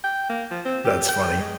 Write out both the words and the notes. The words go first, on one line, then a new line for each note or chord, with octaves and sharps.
That's funny.
G5
A#3
F3
C4
G4
G5
G#3